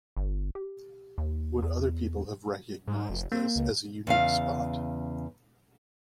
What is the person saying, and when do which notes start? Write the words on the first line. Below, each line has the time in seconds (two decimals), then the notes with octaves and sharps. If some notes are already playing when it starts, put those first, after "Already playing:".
Would other people have recognized this as a unique spot?
0.17 G1
0.55 G4
1.18 D#2
1.62 E2
2.87 G#2
3.10 F1
3.32 A#3 C4
3.56 C#2
4.07 E2 C#3 F5